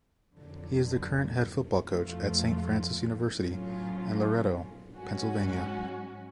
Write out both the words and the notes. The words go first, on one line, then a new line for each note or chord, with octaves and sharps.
He is the current head football coach at Saint Francis University in Loretto, Pennsylvania.
F2 D3 F#3
F2 F3 A3 F4
A2 F#3 C#4 F4
G#2 F#3 C#4 F#4